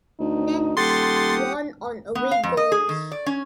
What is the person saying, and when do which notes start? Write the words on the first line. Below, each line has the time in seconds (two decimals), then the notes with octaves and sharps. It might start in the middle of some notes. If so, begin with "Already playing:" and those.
Nantes won on away goals.
0.20 D2 D#4
0.77 D#1 G4 A4 F#5 C6 D#6 A6
2.15 B3
2.31 F5
2.43 F2
2.57 D#5
2.72 G#4
2.89 D#3
3.12 D5
3.26 C#4